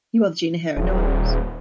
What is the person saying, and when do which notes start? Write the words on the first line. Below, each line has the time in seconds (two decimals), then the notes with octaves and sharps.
You are the Gina here, and no one else.
0.77 D#1